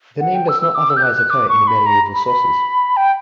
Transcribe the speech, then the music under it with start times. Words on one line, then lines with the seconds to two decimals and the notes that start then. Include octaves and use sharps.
The name does not otherwise occur in the medieval sources.
0.20 F#5
0.35 G5
0.48 E6
0.62 E6
0.75 D6
0.90 E6
0.97 G6
1.03 F#6
1.17 F#6
1.30 D6
1.49 C#6
1.67 B5
1.86 A#5
2.14 B5
2.27 B5
2.97 G5